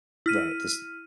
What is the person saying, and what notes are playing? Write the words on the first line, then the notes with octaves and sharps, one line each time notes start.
Right, this
E4 F6 D#7